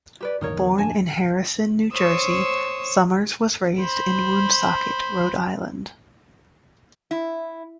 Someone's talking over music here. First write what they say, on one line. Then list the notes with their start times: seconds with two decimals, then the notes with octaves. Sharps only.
Born in Harrison, New Jersey, Summers was raised in Woonsocket, Rhode Island.
0.21 G4 B4 D5
0.41 G1 D#2 A2 D#4 A#4 C#5
0.56 E2 D3 F#3
0.78 D#1 F2 D4 G#5 A5
1.93 C5 C#5 C#6 D#6 E6
3.79 C5 B5
7.11 E4